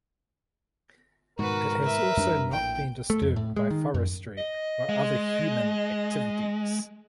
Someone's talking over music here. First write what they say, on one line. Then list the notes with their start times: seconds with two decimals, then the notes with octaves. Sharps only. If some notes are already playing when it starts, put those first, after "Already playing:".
It has also not been disturbed by forestry or other human activities.
1.39 G#2 B2 D#3 F#4 A#4 B4
1.83 B4 E5
2.17 F#2 G3 D4
2.52 A#1 A2 G5
3.10 A3
3.22 F2
3.36 A2
3.57 G#3
3.71 D#3
3.94 F#2
4.38 D#5
4.89 G#3